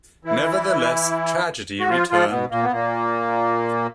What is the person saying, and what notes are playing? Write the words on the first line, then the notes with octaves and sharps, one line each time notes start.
Nevertheless, tragedy returned.
E3 E4
F#4
F3 F4
F3 F4
B2 B3
A#2 A#3
B3
A#2 A#3